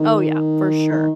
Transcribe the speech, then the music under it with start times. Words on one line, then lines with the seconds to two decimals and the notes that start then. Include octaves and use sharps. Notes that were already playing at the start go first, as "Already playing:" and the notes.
Oh, yeah, for sure.
Already playing: D#3
0.91 D#3